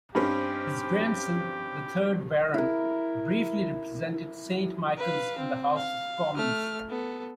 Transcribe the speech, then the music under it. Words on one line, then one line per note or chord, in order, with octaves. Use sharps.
His grandson, the third Baron, briefly represented Saint Michael's in the House of Commons.
G2 C4 C#4 D#4 G4
E4 A#4
B4 F5
C4
F5
A3 F6
B3 A4